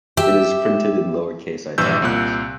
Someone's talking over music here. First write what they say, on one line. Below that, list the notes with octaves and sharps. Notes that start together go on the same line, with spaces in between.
It is printed in lowercase italics.
G4 E5
A#1 G2 E3 E6 G6
C2 A#2 F#6